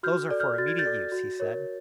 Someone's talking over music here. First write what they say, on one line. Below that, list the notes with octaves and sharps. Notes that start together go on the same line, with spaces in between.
"Those are for immediate use," he said.
F#4 F6 G6
A4 D5
F6 G6
F#4 A6
G#6
G6 A6
A4 D5
F#4
A#4 C#5